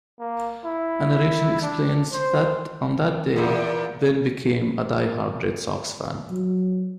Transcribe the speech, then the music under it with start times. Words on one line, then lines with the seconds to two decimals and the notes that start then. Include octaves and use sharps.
A narration explains that on that day, Ben became a die-hard Red Sox fan.
0.19 A#3
0.65 E4
1.62 D4
2.12 C5
3.36 E2 A#2
6.31 F#3